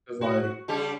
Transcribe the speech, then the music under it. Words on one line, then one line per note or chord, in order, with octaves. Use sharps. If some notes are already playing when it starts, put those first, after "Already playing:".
'cause like
F#4
C#3 G3 G4